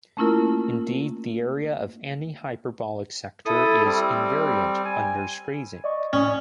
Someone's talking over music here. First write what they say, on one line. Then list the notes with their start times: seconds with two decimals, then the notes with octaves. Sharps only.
Indeed, the area of any hyperbolic sector is invariant under squeezing.
0.17 A3 A#3 C#4 E4 F4 A#4
3.46 E4 A4 D#6
3.85 G3 C4
4.85 G#5
5.84 D5 D#5 C#6
6.13 A2 C#4 D5 D#6